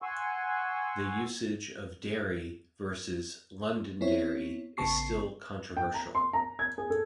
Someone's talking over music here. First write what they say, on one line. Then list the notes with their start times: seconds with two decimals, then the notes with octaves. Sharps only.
The usage of "Derry" versus "Londonderry" is still controversial.
0.02 F#5 G#5 C6 C#6 E6
4.01 B3 C4 E4 C#5
4.77 A1 C#3 B3 A5 C#6 C7
5.77 G5
5.94 A#5
6.15 C6
6.33 A#5
6.59 G#6
6.78 G#4
6.90 A4